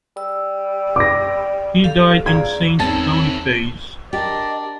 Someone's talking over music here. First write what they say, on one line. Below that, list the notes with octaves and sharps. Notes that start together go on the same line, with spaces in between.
He died in Saint Boniface.
G3 E6
D6 A#6
G4 A4 F5
F4 G#4 D5 A#5 G#6
E2 D#3 G#3 C4 C#4 E4 A5
D4 G4 A#4 D5 D#5